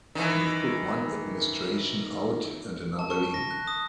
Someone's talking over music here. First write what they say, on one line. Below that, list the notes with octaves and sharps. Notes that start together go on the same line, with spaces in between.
You've put one administration out and another in.
D#3 E3
A5
C#6
A#6
F#6
D#6